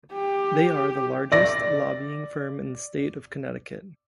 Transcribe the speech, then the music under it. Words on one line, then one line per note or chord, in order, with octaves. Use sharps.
They are the largest lobbying firm in the state of Connecticut.
G4
D5 A#6